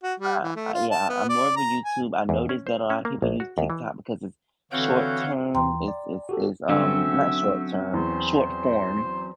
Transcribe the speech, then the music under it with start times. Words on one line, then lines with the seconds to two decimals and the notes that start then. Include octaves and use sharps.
uh uh Yeah, I'm more of a YouTube I noticed that a lotta people use TikTok because it's short-term, it's it's it's, um not short-term, short-form,
0.04 F#4
0.20 G3
0.43 E3
0.56 A3
0.74 F4
0.92 A5
1.09 B3
1.29 D5
1.57 A#5
1.85 G#5
2.29 E2
2.49 C#4
2.67 C5
2.90 C#4
3.05 A#3
3.22 A#1
3.40 F#4
3.58 D#2
3.70 E3
4.72 D3 E3 C4 F#4 C#5 F5 F#5 G6
5.55 D#2 E3 G5 A#5 C6
5.88 D5
6.29 F#4 G4 A4
6.69 D3 F#3 C4 C#4 E5
7.94 E2 C5